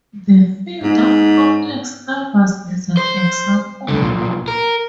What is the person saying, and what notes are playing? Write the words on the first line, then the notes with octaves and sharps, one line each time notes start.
The field of complex numbers is an example.
G#2
C5
C#2 D3
B1 A#2
A#4